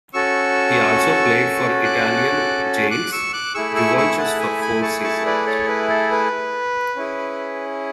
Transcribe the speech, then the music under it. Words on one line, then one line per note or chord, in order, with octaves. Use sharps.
He also played for Italian giants Juventus for four seasons.
C#4 F#4 A4 C#6 E6
D6 F#6
D6 F#6
C#6 E6
D6 F#6
A3 E4 G#4 C#6 E6
C#6 E6
C#6 E6
F#5 A5
E5 G#5
G#5 B5
A5 C#6
A5 C#6
B4 D5
A4 C#5
B4
A4
B4
C#4 E4 G#4